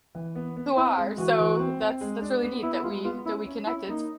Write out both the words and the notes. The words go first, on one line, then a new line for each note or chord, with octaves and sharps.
who are, so that's that's really neat that we that we connected.
E3
B3
B3
C4 E4
G#3
E3 F#4
E3
C4
C4
G#3
D4
B3
B3 E4
E4
G#3 F4
B3 F4
C#4 E4
C#4
C#4 E4
A#3 D#4